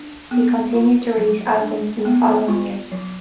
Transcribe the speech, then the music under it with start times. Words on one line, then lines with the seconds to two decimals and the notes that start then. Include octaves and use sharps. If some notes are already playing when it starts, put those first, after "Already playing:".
He continued to release albums in the following years.
Already playing: D4
0.31 B3
0.74 F4
1.18 F#3
1.61 D4
2.05 B3
2.48 F4
2.92 F#3